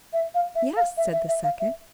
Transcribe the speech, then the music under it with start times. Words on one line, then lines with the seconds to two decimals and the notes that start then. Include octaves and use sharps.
"Yes," said the second.
0.13 E5
0.35 F5
0.55 E5
0.77 F5
0.97 E5
1.13 E5
1.28 E5
1.44 F5
1.60 E5